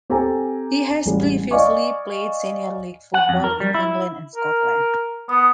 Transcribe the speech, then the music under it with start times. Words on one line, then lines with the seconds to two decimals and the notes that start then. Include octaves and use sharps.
He has previously played senior league football in England and Scotland.
0.10 C4 G4 A4 G#5 A#5
1.06 A1 G3 G#3
1.51 D5 D#5 F5 G#5 C#6 D6
3.14 F#5
3.29 F2
3.44 A#4
3.60 G3
3.74 E4
4.36 A#4
5.29 B3 D#6